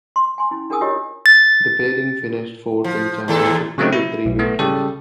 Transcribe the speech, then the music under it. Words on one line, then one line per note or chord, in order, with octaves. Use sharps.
The pairing finished fourth in the championship with three victories.
C6
G#5 C6
C#4 E4
D4 G#4 A#4 G#5 D#6 E6
F4 G4 C#5 D#5
A6
F3
D#2 A#2 A4
C#3 F#3 A3 A#3 C4 D#4
E4
B1
A3 B3
C#3 G3 G4 A4